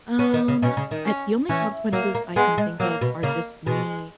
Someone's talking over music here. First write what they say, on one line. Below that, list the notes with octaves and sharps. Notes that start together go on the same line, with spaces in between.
Um, I the only consequences I can think of are just me,
B3 C#4
D#3
C#3
B2 C#4
C#3
D#3
C#4
E3 C#4
F#3 A#3
A#3
G#3 B3
G#3
F#3 A#3
B2
C#3 A#3
B2 G#3